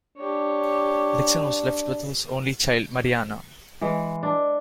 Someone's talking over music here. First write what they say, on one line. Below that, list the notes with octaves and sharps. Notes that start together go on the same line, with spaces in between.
Dixon was left with his only child, Marianna.
D4 G4 C#5
E3 G#3
D4